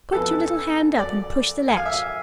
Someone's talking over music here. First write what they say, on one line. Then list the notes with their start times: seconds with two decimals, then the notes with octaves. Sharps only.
Put your little hand up and push the latch.
0.12 F2 E3 B3 A4
0.99 D5
1.68 G#5
1.77 F5
1.86 E5